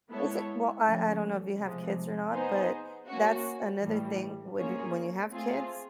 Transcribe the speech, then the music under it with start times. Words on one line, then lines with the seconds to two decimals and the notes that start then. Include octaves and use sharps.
is it well, I I don't know if you have kids or not, but that's another thing when d when you have kids,
0.09 G#3 B3 E4 A4 C#5
0.84 C#3 F3 A3 C#4
1.58 C3 F3 G#3
2.33 B3 D#4 G#4 C5
3.07 A#3 C#4 F#4
3.82 A2 E3 G3
4.57 A#3 C#4 F4 G#4 C#5
5.31 A3 C4 F4 G#4